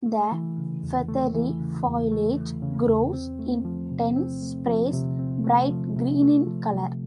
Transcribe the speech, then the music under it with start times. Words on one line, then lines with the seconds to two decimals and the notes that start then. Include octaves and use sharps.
The feathery foliage grows in dense sprays, bright green in color.
0.06 A3
0.32 E3
0.58 C#3
0.83 E2
1.08 A3
1.34 E3
1.60 C#3
1.86 E2
2.11 A3
2.37 E3
2.62 C#3
2.88 E2
3.13 C4
3.39 A3
3.65 F3
3.91 C3
4.16 C4
4.42 A3
4.67 F3
4.93 C3
5.19 C4
5.44 A3
5.70 F3
5.96 C3
6.22 A3
6.47 F3
6.73 C3